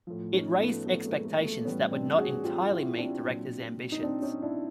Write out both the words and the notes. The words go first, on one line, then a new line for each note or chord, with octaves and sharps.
It raised expectations that would not entirely meet director's ambitions.
A2 F3
C#4 D#4
A3 B3
A3 B3
G#3 A#3
A3
A3
A2 E3 G3 B3 C#4
C4 D4
F#4 G#4
F4 G4
E4 F#4
C4 D4
A#2 F#3
D#4
C4 D4
C#4 D#4
D4 E4